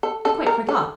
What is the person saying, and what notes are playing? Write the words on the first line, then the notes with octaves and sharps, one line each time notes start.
I quite forgot!
A4
A4
A#4
A4